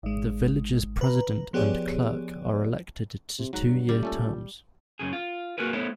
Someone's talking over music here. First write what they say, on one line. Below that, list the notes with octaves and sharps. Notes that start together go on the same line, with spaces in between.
The village's president and clerk are elected to two-year terms.
G#1 G#3
B4 A#5
F3 B3 G4 G#4 C#5 D5
C3
G#2 F#3 F#5 A#5
G2
F#1 G3
A#2 A3 C#4 A4
F#2 C#3 G#4
F4
A#3 F#4 G#4 A#4 B4
A3 B3 E4 A4 C5 C#5